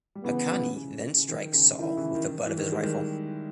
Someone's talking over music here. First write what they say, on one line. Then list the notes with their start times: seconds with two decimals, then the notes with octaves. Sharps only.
Haqqani then strikes Saul with the butt of his rifle.
0.15 G3
0.24 C#3 E3 B3
0.51 C#3 E3
0.76 C#3
1.15 C#3
1.29 D#3
1.53 C#3
1.80 D#3 E4
1.97 C#3 E3
2.15 D#3
2.45 E3
2.58 D#3
2.72 G#3
2.83 D#3 G3